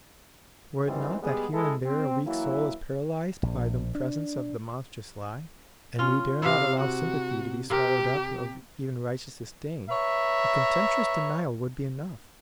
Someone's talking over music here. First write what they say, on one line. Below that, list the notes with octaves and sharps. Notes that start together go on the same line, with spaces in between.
Were it not that here and there a weak soul is paralysed by the presence of the monstrous lie, and we dare not allow sympathy to be swallowed up of even righteous disdain, a contemptuous denial would be enough.
F#2 D#3 E3 G3 C4
G3 G#3 B3 G#4
G#3 E4 A4
C4
E3 F#3 A#3 E4
A#1
D4
C#4 F4
C3 E4 F5
F#4
C3 G4 A#4
B4 C#5 E5 A#5